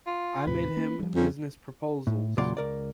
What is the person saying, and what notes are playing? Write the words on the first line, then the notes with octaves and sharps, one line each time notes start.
I made him business proposals.
F4
D#2 A2 C3 B4
A#3 C#4
F3 G3
F2 C#4
A2
E2 A#2 C#3 F#3 D5 C6
C#2 A#4 D5